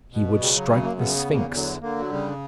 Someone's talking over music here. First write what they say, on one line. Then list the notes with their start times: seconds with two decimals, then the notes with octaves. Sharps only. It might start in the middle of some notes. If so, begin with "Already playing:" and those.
He would strike the Sphynx.
0.12 B2
0.40 C#3 G3
0.55 F#3
0.68 F#2 G3
0.83 A#3
0.96 C#3 B3
1.16 B3
1.25 E2
1.34 A#3
1.53 D3 F#3
1.81 D3 A#3
1.99 F#3
2.10 C#3 G3